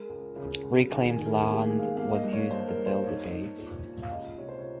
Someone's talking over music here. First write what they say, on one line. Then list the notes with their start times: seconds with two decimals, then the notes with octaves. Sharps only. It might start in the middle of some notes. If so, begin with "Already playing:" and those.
Reclaimed land was used to built the base.
Already playing: G#3 A#4
0.09 C#2
0.36 C#3
0.63 C#2
0.90 D#3 G#4
1.08 G#4
1.16 D#3
1.26 A#4
1.43 A#3 G#4
1.54 G4
1.61 G#4
1.70 G#2
1.79 F5
1.97 A#3 F5
2.15 D#5
2.23 G2
2.33 C#5
2.51 G2 C5
2.68 A#4
2.78 G2
2.86 C5
3.04 D#4 C#5
3.31 D#4
3.58 A#2
3.84 A#2
4.02 F5
4.11 C#2 D#5
4.38 C3 C#5
4.49 C5
4.59 C#5